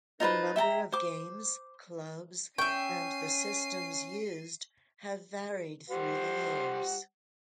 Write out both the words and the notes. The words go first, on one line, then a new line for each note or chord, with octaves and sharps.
The number of games, clubs and the systems used have varied through the years.
D#4 F4 B4 C5
E5 G5 A5 A#5
C5 D6
C#4 E5 G5 C#6 C7 D#7
G3 C5 F#5